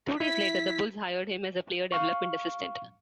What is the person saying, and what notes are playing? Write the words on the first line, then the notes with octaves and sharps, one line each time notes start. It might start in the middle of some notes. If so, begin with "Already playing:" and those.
Two days later, the Bulls hired him as a player development assistant.
E4 B6
F5 C#6